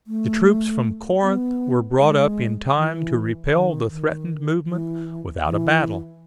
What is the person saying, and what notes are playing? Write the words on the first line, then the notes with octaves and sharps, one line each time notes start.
The troops from Corinth were brought up in time to repel the threatened movement without a battle.
A3
B3
G#3
E3
D#3
D#3
E3
E3